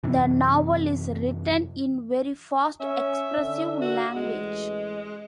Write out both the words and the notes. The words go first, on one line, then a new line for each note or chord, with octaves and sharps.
The novel is written in very fast, expressive language.
F#2 C3 E3
C#4 E5
D3
F#4
A1 G#3